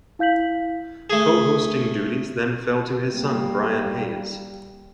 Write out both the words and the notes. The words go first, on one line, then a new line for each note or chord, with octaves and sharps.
Co-hosting duties then fell to his son, Brian Hayes.
E4 F5 G6 B6 F#7
A3 G#4
G3 A#3